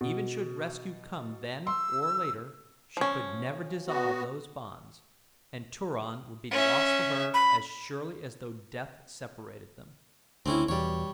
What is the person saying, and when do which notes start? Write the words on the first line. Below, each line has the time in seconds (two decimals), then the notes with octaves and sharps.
Even should rescue come then or later she could never dissolve those bonds and Turan would be lost to her as surely as though death separated them.
0.01 B2
1.67 C6 E6
2.97 F3 C#4
3.87 B3 F#4
6.51 C#4 E5
7.34 B5
10.46 D2 D3 C4 C#4 E4
10.69 E2 B2 G3 C#5